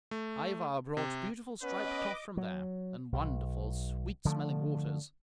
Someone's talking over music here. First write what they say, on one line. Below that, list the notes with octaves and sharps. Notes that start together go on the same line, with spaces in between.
Ivar brought beautiful striped cloth from there, and wonderful, sweet-smelling waters.
A3
C3
B3 C#4 B4 D#5 D6
F#3
B1
D3 F3 G3 A3